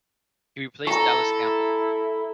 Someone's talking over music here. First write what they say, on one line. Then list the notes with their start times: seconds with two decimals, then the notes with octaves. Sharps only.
He replaced Dallas Campbell.
0.87 E4 A4 A#5 C#6